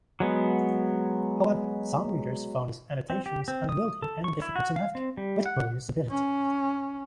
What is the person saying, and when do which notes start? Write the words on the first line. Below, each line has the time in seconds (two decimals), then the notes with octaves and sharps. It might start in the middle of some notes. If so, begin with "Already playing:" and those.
However, some readers found these annotations unwieldy and difficult to navigate, with poor usability.
0.20 F#3 G#3 B3
3.10 C4
3.26 G4
3.48 C4
3.69 D#6
4.02 A4
4.24 C#6
4.42 E4
4.56 F#4
4.76 F5
4.95 C4
5.17 G3
5.46 F#5
6.10 C#4